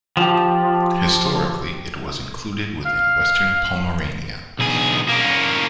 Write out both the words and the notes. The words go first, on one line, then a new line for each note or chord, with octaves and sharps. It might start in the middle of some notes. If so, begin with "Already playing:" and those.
Historically, it was included within Western Pomerania.
F3 G4 A5
F5
B1 G#4
A#3 C#4